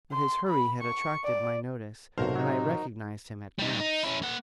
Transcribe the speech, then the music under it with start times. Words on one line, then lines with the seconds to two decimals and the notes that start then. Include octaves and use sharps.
But his hurry had attracted my notice, and I recognized him at glance.
0.12 C6
0.49 B5
0.82 C#6
1.24 D5
2.18 B1 A2 C3 F#4 A#4 C5 F5
2.36 F#3 D#4
3.59 G3 D#4
3.80 D#4
4.03 C#4 E4
4.22 A#3 F#5